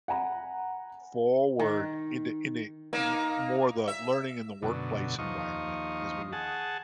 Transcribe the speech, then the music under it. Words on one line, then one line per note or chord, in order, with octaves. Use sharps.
forward in a in a m more the learning in the workplace environment because we would
F#5 G#5 A#5 B5
D#3
A#3 D#4
E5
F#2 B2 D3
D#2 F3 D#5 C#6
G#4 F#5 A5